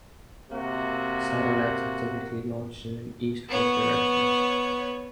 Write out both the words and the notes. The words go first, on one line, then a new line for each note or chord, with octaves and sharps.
Satellites are typically launched in an eastward direction.
C3 A#3 F#4
B3 C#5